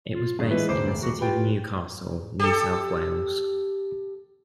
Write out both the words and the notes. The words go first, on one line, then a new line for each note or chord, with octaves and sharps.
It was based in the city of Newcastle, New South Wales.
F4
G1 G#4
E3 G#3 B4
E1 D2 C5 D6
F#4
F4 G4 B4 G5
G4 A4